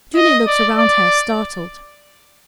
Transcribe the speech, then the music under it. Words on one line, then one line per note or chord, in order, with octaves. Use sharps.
Julie looked round her, startled.
D#5
D5
D5